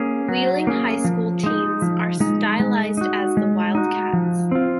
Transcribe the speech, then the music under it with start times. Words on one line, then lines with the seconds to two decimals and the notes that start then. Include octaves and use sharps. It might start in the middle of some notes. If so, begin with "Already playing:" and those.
Wheeling High School teams are stylized as the Wildcats.
Already playing: A#3 C#4 G#4
0.29 F#3
0.67 A#3 C#4 G#4
1.04 F3
1.43 G#3 D#4
1.82 F3
2.20 G#3 D#4
2.60 G#3
2.97 D#4 F#4
3.37 G#3
3.75 D#4 F#4
4.13 F3
4.52 C4 F4